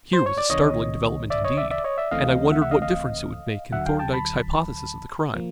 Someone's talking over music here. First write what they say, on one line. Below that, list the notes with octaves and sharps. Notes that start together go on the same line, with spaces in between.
Here was a startling development, indeed, and I wondered what difference it would make in Thorndyke's hypothesis of the crime.
C5
C#5
D5
C2 C3 D#3 C#5 D#5
D5 E5
C#5 D#5
D5 E5
D5 E5
C#5 D#5
D5 E5
C#2 C#3 E3 A3 C4 D#5 F5
E5 F#5
E5 F#5
D#5 F5
D#5 F5
D2 D3 F#3 E5 F#5
F5 G5
G5 A5
A5 B5
F3 A#3